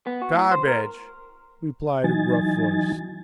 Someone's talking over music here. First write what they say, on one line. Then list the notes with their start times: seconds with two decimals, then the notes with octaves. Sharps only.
"Garbage!" replied a gruff voice.
0.07 B3
0.22 F#4
0.34 A2
0.51 C5
0.68 A#4
2.04 E3 F#3 D#4 G#5 A6